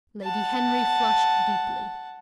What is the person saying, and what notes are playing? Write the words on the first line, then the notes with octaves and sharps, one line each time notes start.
Lady Henry flushed deeply.
F#5 A5